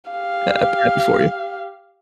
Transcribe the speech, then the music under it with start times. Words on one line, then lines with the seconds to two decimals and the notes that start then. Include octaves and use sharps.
Hap happy for you.
0.10 G4 F5